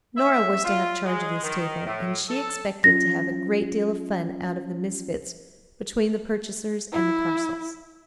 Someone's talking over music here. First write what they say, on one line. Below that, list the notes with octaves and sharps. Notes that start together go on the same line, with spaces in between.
Nora was to have charge of this table, and she expected to have a great deal of fun out of the misfits between the purchasers and the parcels.
E5
F4
G#3
D#3
A2
A4
F#3 C#4 F4 A#6
E4